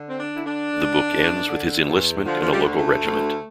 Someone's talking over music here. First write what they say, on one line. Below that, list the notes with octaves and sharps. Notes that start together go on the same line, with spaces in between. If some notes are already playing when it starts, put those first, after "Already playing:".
The book ends with his enlistment in a local regiment.
Already playing: D3
C4
D4
D3 E4
D4
D3
E2
D3
E2
D3 F3
F3
G3
D2
A3
D2